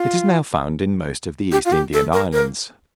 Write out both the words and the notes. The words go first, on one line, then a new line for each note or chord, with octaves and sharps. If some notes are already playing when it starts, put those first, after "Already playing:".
It is now found in most of the East Indian Islands.
Already playing: F4
G4
F4
G4
A4
A#4
A#4